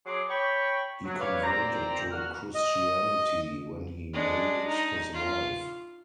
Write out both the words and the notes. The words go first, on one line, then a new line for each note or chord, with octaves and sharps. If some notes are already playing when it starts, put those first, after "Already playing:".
He converted to Christianity when he married his wife.
F#3 G#4 C6 D6
C#5 G5 B5 C#6
F#3
B4 C#5 D5 F5
A#2 C4 C5 D5 A#5
A#2 F#4 F6
D#5
G#3 D4
D#4
F4